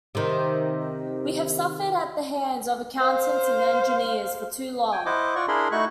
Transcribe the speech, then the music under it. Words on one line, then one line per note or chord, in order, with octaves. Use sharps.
We have suffered at the hands of accountants and engineers for too long.
C3 D#3
C5 F5
G5 G#5
E4 C5 D#5 F#5 D6
F4 D5 F#5 C#6
D4 E4 G#4 A#4 B5 C6
A3 D#4 E4 F#4 C#6 F#6